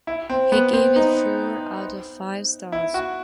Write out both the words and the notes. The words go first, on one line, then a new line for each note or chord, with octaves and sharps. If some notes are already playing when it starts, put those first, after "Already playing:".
He gave it four out of five stars.
E4
C4
B3
C4
D#4
E4
F#4